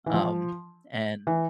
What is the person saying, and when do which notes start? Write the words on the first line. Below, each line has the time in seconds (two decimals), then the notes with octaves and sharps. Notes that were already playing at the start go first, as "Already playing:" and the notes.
Um, and
0.06 E3
0.14 F3
1.27 E3